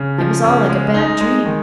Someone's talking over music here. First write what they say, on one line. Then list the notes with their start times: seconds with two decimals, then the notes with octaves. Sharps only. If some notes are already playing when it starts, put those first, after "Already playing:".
It was all like a bad dream.
Already playing: C#3
0.18 F3
0.44 C#3
0.69 G#3
0.94 D#4
1.21 G#3
1.46 D#3